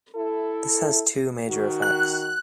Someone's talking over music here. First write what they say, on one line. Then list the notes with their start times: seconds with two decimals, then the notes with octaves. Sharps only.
This has two major effects.
0.16 E4 A4
1.49 D#3 F#4
1.82 F#6